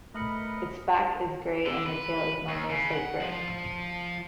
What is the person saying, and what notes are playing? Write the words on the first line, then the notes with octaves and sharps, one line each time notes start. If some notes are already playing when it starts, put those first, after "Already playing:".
Its back is gray and the tail is normally slate-gray.
A3 A#4 B4 D#5 B5 C#7
D3
B4
D#2
C#3
F#5
F3